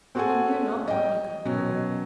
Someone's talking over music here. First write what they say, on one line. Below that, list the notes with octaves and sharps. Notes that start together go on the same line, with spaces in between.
He knew not what he could do.
C4 F#4 G#4 A4 F#5 G#5
D#5 G5
B2 F#3 C#4